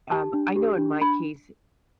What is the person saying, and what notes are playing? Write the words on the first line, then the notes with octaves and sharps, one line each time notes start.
Um, I know in my case,
G4 A5
D4
G4
D4
D4 B5